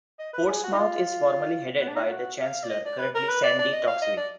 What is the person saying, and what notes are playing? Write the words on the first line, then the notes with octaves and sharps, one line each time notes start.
Portsmouth is formally headed by the Chancellor, currently Sandi Toksvig.
D#5
B4
G#4
F#4
D#4
F4
B3
D4
D#4
F4
F#4
F5
D5
D#5
D5
B4
A#4
B4
D5
D5
D#5
F5
D#5
D5